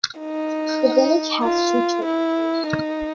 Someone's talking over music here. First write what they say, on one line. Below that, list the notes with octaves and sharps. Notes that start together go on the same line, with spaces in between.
The village has two churches.
D#4
F4
E4
D#4